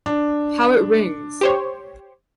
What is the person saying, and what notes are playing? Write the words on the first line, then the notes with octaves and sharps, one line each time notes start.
How it rings!
D4
G4 C5 C#5